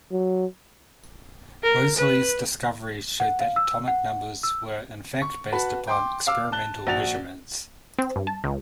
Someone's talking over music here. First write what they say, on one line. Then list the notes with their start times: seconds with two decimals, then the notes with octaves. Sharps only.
Moseley's discovery showed that atomic numbers were in fact based upon experimental measurements.
0.12 F#3
1.63 A#4
1.96 B4
3.20 F#5
3.40 F5
3.56 E6
3.88 F#5
4.43 E6
5.22 C#6
5.52 F#4 B4 A5 B5
5.88 G5 C6 D6
6.27 F5 D6 E6
6.52 A5 F#6 G7
6.87 A#1 F#4 A6 F7
7.99 C4
8.16 G2
8.27 A5
8.44 C#2